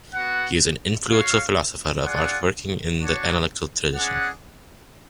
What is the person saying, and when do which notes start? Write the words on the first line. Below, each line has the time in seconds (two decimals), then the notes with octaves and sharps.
He is an influential philosopher of art working in the analytical tradition.
0.14 B3 F#4 B4 F#5
1.08 F#4 C#5 F5
2.04 F4 G#4 D5 F#5
3.00 D4 F#4 C#5
3.94 G#3 C#4 G#4 D5 F#5